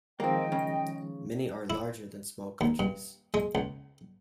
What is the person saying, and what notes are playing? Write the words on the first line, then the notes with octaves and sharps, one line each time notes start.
Many are larger than small countries.
D#3 F3 G#3 A#3 C4 D#5 G5
C#3
E4
D#2
G2
G#3
C#2